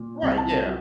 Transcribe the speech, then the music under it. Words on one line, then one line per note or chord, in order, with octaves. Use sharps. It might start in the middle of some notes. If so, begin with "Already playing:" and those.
Right, yeah,
Already playing: A#2
C2
A5
F#3